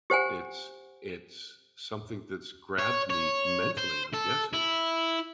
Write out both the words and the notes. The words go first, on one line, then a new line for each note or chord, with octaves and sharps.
it's it's something that's grabbed me mentally, I'm guessing.
G4 C5 F#5 G#5
C#5
C#5
C5
A4
E4